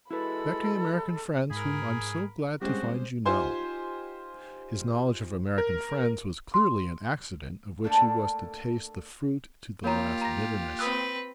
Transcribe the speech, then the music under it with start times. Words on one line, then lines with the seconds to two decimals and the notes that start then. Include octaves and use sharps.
"Expecting American friends whom I'm so glad to find you know!" His knowledge of American friends was clearly an accident of which he was to taste the fruit to the last bitterness.
0.11 G#3 E4 F#4 A4 B4 B5
1.51 G#2 G#4 A#4 B5
2.61 G3 G#3 C4 C#4 F#4 G4 C5
3.26 D#4 F4 G4 C5 G#5 C6
5.58 A#4
6.54 C6
7.84 A3 A#3 D4 A4
9.84 A#3 F4 G4 A#4 C#5 A#5
10.21 A#5 A#6
10.79 C4 B4 D#6 E6 F#6